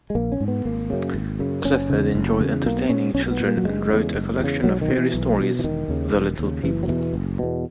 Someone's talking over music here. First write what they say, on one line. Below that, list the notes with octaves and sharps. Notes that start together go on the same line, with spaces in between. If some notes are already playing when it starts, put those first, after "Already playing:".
Clifford enjoyed entertaining children and wrote a collection of fairy stories, "The Little People".
G#3
A#1 A#3
C#4
G#2
B3
G#1 A#3
F#2 C#3
G#1
F#2 C#3
F#1 C#4
E2 C#3
F#1
E2 C#3
B1 A#3
B3
A#2 C#4
B1 C#4
A#3
B3
A#2
A#3
F#3
F#1 G#3
E2 C#3
F#1
E2 C#3
B1 F#3
D#3
B2
E3
B1
B2
E3
E1 D#3
D#2 C#3
E1
D#2 C#3
F#1 E3
F#3
E2 B2 E3
F#1
E2 B2